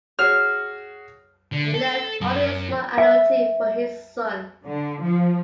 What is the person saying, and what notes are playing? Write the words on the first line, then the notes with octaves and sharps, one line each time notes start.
He left only a small annuity for his son.
F#4 G#4 C#5 F6
D3
A4
F#2
E5
D3
F3